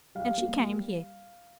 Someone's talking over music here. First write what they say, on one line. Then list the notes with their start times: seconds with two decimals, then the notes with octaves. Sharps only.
And she came here.
0.15 G3 F5
0.38 A#3
0.60 G3